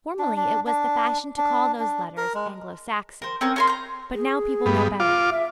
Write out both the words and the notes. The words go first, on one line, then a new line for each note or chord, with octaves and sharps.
Formerly it was the fashion to call those letters Anglo-Saxon: but now people know better.
D4
D4
D4
D4
D4
A#4
G#3
A#4 C5
C4 C#4 A#4
C#4 A#4 C6
A#5 G6
G#4
G2 B3
F4 D6
E5